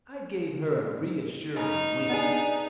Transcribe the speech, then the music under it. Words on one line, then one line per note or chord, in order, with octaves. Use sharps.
I gave her a reassuring wink.
C#3 D#4
B3 D4 G#4